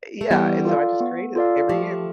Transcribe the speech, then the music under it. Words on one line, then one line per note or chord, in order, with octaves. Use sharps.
Yeah, and so I just create it, every year.
A3
E3 G3 B3
F4 A4 D5 F5
B3
F4 A4 D5 F5
F3 A3 G4